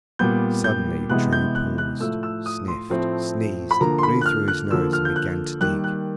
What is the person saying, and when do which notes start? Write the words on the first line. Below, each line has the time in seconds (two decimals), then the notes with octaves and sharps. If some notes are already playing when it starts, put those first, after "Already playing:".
Suddenly True paused, sniffed, sneezed, blew through his nose and began to dig.
0.19 A#2 G3 B3 G6
0.64 G6
1.10 C3 E3 G#3 B3 F#6
1.33 G6
1.55 F#6
1.78 F#6
2.00 A2 F3 A3 E6
2.23 E6
2.46 D#6
2.68 C6
2.90 A2 F3 A3 C4
3.71 B5
3.80 D3 F3 A#3 A#5
3.98 C6
4.03 B5
4.21 F#6
4.26 F6
4.48 F#6
4.71 D3 F3 A#3 E6
4.93 F6
5.05 G6
5.16 F#6
5.61 D#3 G3 A#3 F#6
5.84 F#6